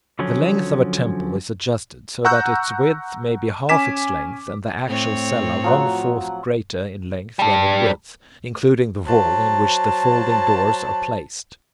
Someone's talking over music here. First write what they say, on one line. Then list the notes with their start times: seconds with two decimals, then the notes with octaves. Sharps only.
The length of a temple is adjusted so that its width may be half its length, and the actual cella one fourth greater in length than in width, including the wall in which the folding doors are placed.
0.19 D3 F3 F#3 C#4
2.25 F#5 A#5 C#6 E6 F#6 G6
3.69 C#4 G#5 D6 B6 E7
4.86 A2 C4 C#5
5.64 F3 F#3 F#5
7.39 G3 D4
9.07 F#3 C5 A5